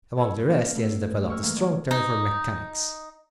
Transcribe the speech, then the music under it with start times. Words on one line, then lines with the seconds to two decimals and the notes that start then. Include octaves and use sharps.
Among the rest, he has developed a strong turn for mechanics.
0.17 A4 C#5 A5 B5 E6
0.47 A#3 B3 C#4 D4 E4 F4
0.75 A3 E4
1.28 D#2 G4 C#6 E6 F6
1.42 E3 G#3 A#3 G#4 A#4
1.57 A2 D#3 E3 G#4 D5
1.91 D#4